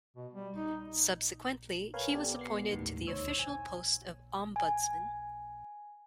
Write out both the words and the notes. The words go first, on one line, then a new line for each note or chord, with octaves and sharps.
Subsequently, he was appointed to the official post of Ombudsman.
B2
G3
D#4
A#4 B4 C#5 F5 G#5
B3 G4 A4 D5
B3 C7 C#7
D#2 A2 D#3 G3
D2 D#4 C5 C#5 E6
G#5
G#5